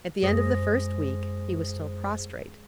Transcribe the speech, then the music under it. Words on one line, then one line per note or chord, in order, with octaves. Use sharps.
At the end of the first week he was still prostrate.
F#2 G#3 G#4 C5 D#6 A#6